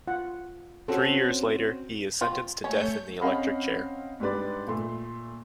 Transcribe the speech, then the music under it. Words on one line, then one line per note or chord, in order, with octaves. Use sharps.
Three years later, he is sentenced to death in the electric chair.
F4 F#5
C4 C#4 F#4 G#4 A4
F3 F4
A3 C#4 C#5 G6
C4 C#4 D#5 F5 F#5 B5
G#2 G3 D4 B4 D5
A#2 A3 C6